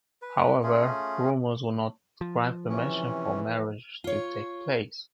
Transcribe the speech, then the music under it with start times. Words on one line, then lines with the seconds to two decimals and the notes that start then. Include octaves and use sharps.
However, Romulus will not grant permission for the marriage to take place.
0.22 B4
0.63 A3 C#4 F4 G#4
2.21 F3
2.69 C3 E3 C#4
4.04 F4 C#5